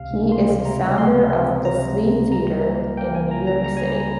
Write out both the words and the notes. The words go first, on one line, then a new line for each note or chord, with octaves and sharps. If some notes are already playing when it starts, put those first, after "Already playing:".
He is the founder of The Flea Theater in New York City.
Already playing: C#2 C3 F5
C#2
C#2 C6
C3
A#5
C#2
F3 C6
C3
C#2
C3 A#5
C#2
C#2
G3 A#5
A#3
A#3
A#3 G5
G#5
C#3
A#5
C#3
A#5
G3 A#5
G#5
A#5
G3
A#5